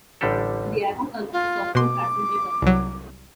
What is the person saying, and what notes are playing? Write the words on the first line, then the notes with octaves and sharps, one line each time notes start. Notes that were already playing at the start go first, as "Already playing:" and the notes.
The airport consists of two passenger terminals.
A1 D3 G3 D4 G4 A4
F4
B2 C6 D6
C2 F#3